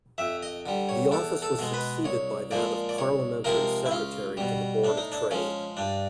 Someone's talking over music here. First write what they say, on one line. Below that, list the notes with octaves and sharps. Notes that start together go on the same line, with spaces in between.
The office was succeeded by that of Parliamentary Secretary to the Board of Trade.
F2 E5
D#5
D3 G3
C#5
E2 A4
A4
B2 G#3
B4
C2 C#5
A#2 F3 G#3 D5
D5
C2 C#5
C3 F3 G#3 A#4
E4
C#2 F4
B2 G3
A2 D4
D#4
D4
F3 G#3 C#4
G2 D4